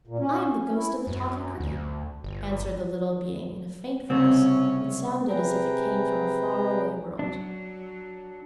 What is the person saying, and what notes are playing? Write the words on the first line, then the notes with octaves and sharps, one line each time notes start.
"I am the ghost of the Talking Cricket," answered the little being in a faint voice that sounded as if it came from a far-away world.
A#2
C#4
C#4
E4
F#2
D2
G1
C2 C#3 C4 C#4
C3 G#4 B4 G5 A#5
F#3 D4